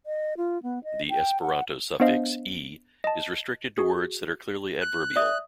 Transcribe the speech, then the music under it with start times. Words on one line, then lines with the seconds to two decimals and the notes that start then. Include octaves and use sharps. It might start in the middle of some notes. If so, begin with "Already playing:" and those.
The Esperanto suffix "-e" is restricted to words that are clearly adverbial.
0.06 D#5
0.37 F4
0.63 B3
0.84 D#5
1.10 G5
1.42 F#5
2.00 B3 D4 C5 D#5 F5
3.04 D#5 A5
3.78 F#4 G#4
4.81 F#6
5.16 D5 E5 D#6